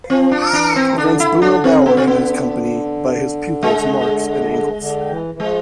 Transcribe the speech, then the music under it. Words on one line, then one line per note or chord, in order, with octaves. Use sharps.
Against Bruno Bauer and Company by his pupils, Marx and Engels.
F3 C4
D4
E3 D4
C4
E3
D3 D4
E4
D4
C4
B3
C4
B3
G#3
D3
E3
E3
F3 G#3